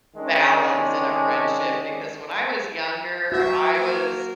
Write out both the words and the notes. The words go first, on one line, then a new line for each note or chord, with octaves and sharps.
balance in a friendship because when I was younger, I was
D#3 G#3 C#4 D4
F#4 E5
A#3 A#4